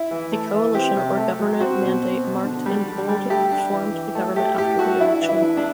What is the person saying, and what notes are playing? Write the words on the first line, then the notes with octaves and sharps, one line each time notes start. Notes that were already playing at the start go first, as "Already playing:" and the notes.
The coalition or government mandate marked in bold formed the government after the election.
Already playing: E4
E3
A3
E3
C4 G4
C3
A3
F#3
C4 F#4
B2
C4
B2
D3
G3
D3
G3
A3 G4
D4
E3
E3
A3
A3 G4
A2 G4
A3 F#4
D4 E4
E3
E4
D4
D4